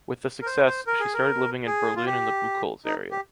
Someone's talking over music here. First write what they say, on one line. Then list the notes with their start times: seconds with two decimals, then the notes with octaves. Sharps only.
With the success, she started living in Berlin in the Buchholz area.
0.42 A#4
0.46 C5
0.67 C5
0.87 A#4
1.00 G#4
1.14 A#4
1.66 G#4
1.96 F4
2.06 G4
2.85 D#4
3.11 G4